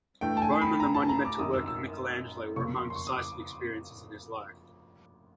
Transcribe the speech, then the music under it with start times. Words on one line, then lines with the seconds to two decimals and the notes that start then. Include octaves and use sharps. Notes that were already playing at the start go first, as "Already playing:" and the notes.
Rome and the monumental work of Michelangelo were among decisive experiences in his life.
0.21 G2 E3 A3 G5
0.37 A5
0.42 G#5
0.62 B5
0.80 A#5
0.94 A5
1.09 A#5
1.25 D6
1.39 G#1 F#2 D#3 D#6
1.54 E6
1.68 E6
2.56 F2 C#3 F3 A#3 C#6
2.76 C6
2.90 C6
2.96 C#6
3.07 D#6
3.15 D6